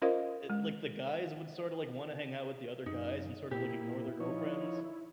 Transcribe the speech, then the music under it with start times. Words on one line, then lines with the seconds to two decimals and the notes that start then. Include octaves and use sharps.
eh, like the guys would sort of like wanna hang out with the other guys and sort of like ignore their girlfriends,
0.02 C#4 F4 A#4 C5 D#5 F5
0.50 G#3
2.86 F#2 D#4
3.51 A#2 E4 G4
4.20 F3 D#4 C#5